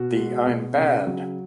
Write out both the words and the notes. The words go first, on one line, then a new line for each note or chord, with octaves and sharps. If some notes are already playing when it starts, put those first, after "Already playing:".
The I'm bad!
Already playing: B2 F#4
G#3
B2
C#3
F#3